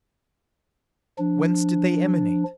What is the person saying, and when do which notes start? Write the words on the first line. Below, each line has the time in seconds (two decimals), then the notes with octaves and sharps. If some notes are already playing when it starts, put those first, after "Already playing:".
Whence did they emanate?
1.18 F3 D4